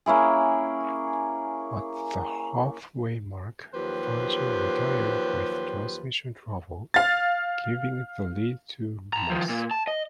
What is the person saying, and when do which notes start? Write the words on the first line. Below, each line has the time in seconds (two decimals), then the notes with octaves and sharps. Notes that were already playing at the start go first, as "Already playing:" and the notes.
At the halfway mark, Fangio retired with transmission trouble, giving the lead to Moss.
0.06 A#3 C#4 E4 G#4
3.74 D#2 F3 F#3 G4 B4 C5
6.94 F5 A6
9.13 A5 A#5
9.30 D#3 F3
9.49 A#2
9.71 A5
9.87 D#5